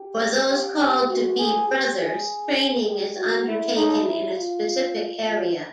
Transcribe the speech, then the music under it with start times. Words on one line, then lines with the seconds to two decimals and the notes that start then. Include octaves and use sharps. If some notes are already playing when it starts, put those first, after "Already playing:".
For those called to be brothers, training is undertaken in a specific area.
Already playing: G4
0.50 G4
0.79 G4
1.09 F#4
1.38 G#4
1.68 G4
1.99 G#4
2.87 G4
3.17 F#4
3.47 E4
3.76 D#4
4.05 E4
4.35 F4
5.25 F4